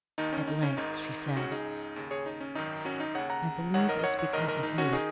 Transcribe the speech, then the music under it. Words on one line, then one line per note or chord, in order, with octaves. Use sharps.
At length she said: "I believe it's because of you."
D#2 D#3 D#4
C#4
D#4
C#4
G#1 G#2 D#3 D#4
C#2 C#3 C#4 F#4
D#4 G#4
D#2 C#3
G#4 C#5
D#4
C#4
G#1 F#2 D#3 D#4
C#4 F#4
D#4
D#2 C#3 C#5 F#5
F#5 A#5
G#1 F#2 D#3 C#5 F#5
A#4 D#5
D#5
C#5 F#5
C#5 F#5
A#1 G#2 D#3 A#4 D#5
A#4 D#5
D#4
C#4 F#4
D#3 D#4 G#4